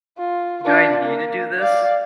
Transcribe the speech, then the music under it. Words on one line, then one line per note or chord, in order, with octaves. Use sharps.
do I need to do this?
F4
D4 F4
A#3
D5 F5